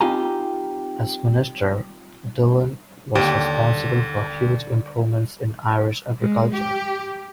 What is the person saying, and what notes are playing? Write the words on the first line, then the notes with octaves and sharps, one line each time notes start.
As Minister, Dillon was responsible for huge improvements in Irish agriculture.
C4 D#4 F4 G4 G#5 A#5
D#2 D3 G4
G#3
G4